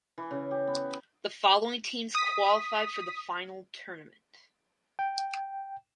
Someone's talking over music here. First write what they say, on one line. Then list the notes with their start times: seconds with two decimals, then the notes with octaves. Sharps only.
The following teams qualify for the final tournament.
0.18 E3
0.31 C#3
0.51 G4
0.67 B3
2.15 D#6 B6
4.99 G5